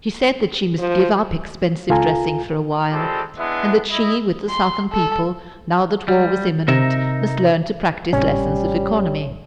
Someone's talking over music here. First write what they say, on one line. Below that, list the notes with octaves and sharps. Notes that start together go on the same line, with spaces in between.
She said that she must give up expensive dressing for a while; and that she, with the Southern people, now that war was imminent, must learn to practise lessons of economy.
F3
C#2 F4 A4 G#5 A#5
G3 G#3 C4 F4 G4 A4
G#3 B3 D4 E4 E5
E4 D#5
C6
A4
G3
C3 D#4 A#4 E5
G#1 A2 C3 G3 C#4